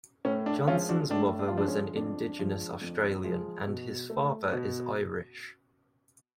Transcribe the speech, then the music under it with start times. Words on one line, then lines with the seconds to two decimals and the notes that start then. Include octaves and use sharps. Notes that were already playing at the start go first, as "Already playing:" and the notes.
Johnson's mother was an Indigenous Australian and his father is Irish.
0.25 A2 C#4
0.46 D4
0.67 F3 G#3 C#4 F4
0.89 D4 F#4
1.10 A2 D4
1.39 D4
1.48 F4
1.53 F3 G#3 D4
1.68 C#4
1.96 F2 D4
2.39 F3 G#3
2.82 F2
3.24 F3 G#3
3.67 B2
4.10 A3
4.53 B2